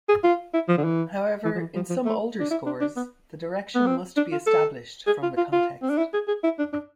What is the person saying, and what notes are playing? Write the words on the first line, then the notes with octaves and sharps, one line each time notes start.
However, in some older scores the direction must be established from the context.
G#4
F4
E4
F3
D3
E3
E3
F3
E3
F3
F3
A3
D4
E4
D4
D4
B3
B3
C4
D4
F4
A4
G#4
F4
F4
F4
C4
D4
E4
G#4
G#4
E4
D4
D4